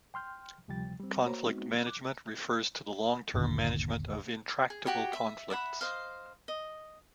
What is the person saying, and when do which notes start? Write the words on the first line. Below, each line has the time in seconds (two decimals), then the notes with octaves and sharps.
Conflict management refers to the long-term management of intractable conflicts.
0.14 G5 C6 F6 G6
0.68 D2 C3 F3 G3 G5 A6
1.00 G3 C4
1.26 A#3 F#4 C5 C#5 A#5
1.45 G#3 B3 C4 D#4 F#4
1.83 D6 F#6
3.34 G1 D#2 A#2 D3
4.70 G#4
4.86 F#4 G4 C#5
5.13 E5
5.50 D5 E5 F#5 B5
5.81 C5 D#5 F5
6.48 D#5